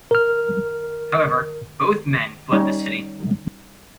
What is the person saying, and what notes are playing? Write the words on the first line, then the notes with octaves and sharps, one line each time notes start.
However, both men fled the city.
A#4 F6
G3 C#4 D#4 C#5